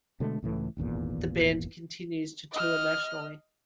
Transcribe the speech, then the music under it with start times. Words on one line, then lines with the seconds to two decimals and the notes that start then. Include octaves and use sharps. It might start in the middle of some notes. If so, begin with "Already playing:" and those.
The band continues to tour nationally.
0.20 B2 D3 G#3 A3
0.43 C#2 A2 E3 A3
0.77 D#1 G#1 E2 A#2
2.52 D#5 F6